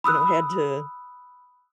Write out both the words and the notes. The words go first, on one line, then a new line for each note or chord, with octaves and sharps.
you know, had to
B5 D#6 E6 F#6